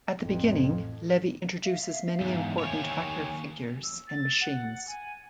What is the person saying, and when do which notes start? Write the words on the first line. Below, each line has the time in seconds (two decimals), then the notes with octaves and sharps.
At the beginning, Levy introduces many important hacker figures and machines.
0.20 A1 F2 A2
1.64 E5 F5
2.20 E2 G#2
2.60 D#2 C#5 G#5
3.83 E6
4.07 A6
4.41 F#5
4.87 G#5